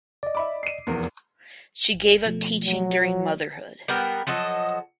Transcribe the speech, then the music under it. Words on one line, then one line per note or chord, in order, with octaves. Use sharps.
She gave up teaching during motherhood.
D5 D#5
E5 B5 D6
C7 D#7
F1 E2 A#4
G#1
B2 F3 A3
F#3
G3 B3 A#4 G5
F3 F#3 A4 D#5